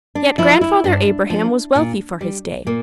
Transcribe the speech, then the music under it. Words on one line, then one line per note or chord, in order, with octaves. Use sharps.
Yet Grandfather Abraham was wealthy for his day.
D4
F3 E4
E4
G2 D4
F3
A#2
G3
A#2 A#3